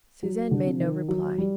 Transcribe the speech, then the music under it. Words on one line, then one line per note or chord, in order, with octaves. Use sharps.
Suzanne made no reply.
F#3
D3
C3
D#3
F#3
G3